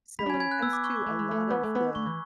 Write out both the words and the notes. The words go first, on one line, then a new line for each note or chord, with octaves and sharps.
So when it comes to a lot of the,
C#4 B5 B6
D4
G#5 G#6
C#4
G#5 G#6
F#6
B3 E6
D6
C#6
D6
A3
G#3
A3
B3
A3
B3
A3 C#6
E3